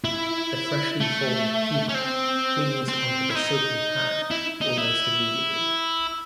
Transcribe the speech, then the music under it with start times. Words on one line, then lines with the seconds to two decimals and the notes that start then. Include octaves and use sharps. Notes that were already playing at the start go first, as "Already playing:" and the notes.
The freshly formed pupa clings onto the silken pad almost immediately.
0.04 E4
1.00 A3
1.89 C#4
1.94 C4
2.89 C4
3.30 E4
3.36 D#4
4.31 E4
4.61 D#4
4.78 E4